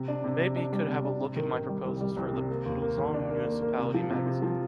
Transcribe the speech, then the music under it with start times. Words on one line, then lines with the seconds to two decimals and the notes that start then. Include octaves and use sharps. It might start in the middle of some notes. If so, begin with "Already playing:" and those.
You may be could have a look at my proposals for the Plouzane municipality magazine.
Already playing: C3
0.08 D4
0.24 C3
0.40 C3
0.56 D4
0.73 G3
0.88 C3
1.04 D4
1.21 C3
1.36 D#3
1.53 D#3
1.69 G3
1.85 C2
2.01 G3
2.17 C2
2.33 C3
2.49 A#3
2.66 D#2
2.82 A#3
2.98 D#3
3.14 D4
3.30 A#3
3.46 A#3
3.62 A#3
3.78 C3
3.94 F3
4.10 C3
4.26 C3
4.42 F3